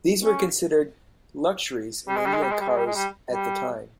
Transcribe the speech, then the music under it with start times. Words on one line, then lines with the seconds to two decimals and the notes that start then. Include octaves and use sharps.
These were considered luxuries in Indian cars at the time.
0.24 C#4
2.08 G3
2.16 G#3
2.26 G3
2.34 G#3
2.43 G3
2.52 G#3
2.60 G3
2.69 G#3
2.78 G3
2.86 G#3
2.96 G3
3.31 G3